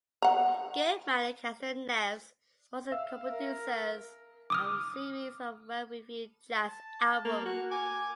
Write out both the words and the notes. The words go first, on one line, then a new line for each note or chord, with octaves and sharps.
Goodman and Castro-Neves were also co-producers of a series of well-reviewed jazz albums.
F#5 A#5
E5 F5 E6
A#4
D6 D#6 F6
A5
A#3
F#4
G#5 D6